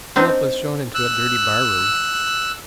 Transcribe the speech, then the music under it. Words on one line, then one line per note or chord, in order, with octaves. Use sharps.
Philip was shown into a dirty bar-room.
C4 D4 D#4
E6 F#6